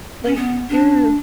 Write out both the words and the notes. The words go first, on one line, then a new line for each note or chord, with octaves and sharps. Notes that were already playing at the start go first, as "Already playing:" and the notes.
like, you're
C#4
B3
D4